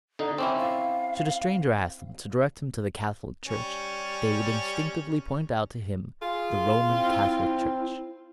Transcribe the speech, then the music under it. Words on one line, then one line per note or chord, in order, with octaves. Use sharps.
Should a stranger ask them to direct him to the Catholic Church they would instinctively point out to him the Roman Catholic Church.
D3 D#4
C4 C#4 E4 D6
F5
G3 C#4
F4 G#4
C4 E4